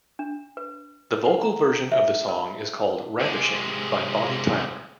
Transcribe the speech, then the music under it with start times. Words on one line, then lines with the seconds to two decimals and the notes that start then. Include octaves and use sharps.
The vocal version of the song is called "Ravishing" by Bonnie Tyler.
0.19 D4
0.57 B4
1.26 F#5
1.43 A#5
1.92 E5
2.29 A#4
3.20 C3 G#3